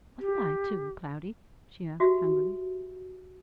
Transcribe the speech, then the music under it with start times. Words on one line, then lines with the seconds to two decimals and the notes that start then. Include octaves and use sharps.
"Wasn't I, too, Cloudy?" she asked hungrily.
0.20 G4
2.00 F#4 G4 E5